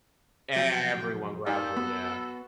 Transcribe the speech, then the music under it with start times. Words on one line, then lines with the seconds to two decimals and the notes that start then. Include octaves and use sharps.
Everyone grabs it, yeah.
0.56 F2 C3 F#3 G5
1.46 A#2 C#4 D#4 G4 A4
1.77 F#3 B3 F#4 B5